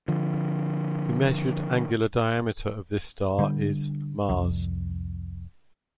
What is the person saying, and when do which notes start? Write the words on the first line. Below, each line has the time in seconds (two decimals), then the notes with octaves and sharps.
The measured angular diameter of this star is mas.
0.08 D3 F3
3.39 D3 G3
4.29 C2 F2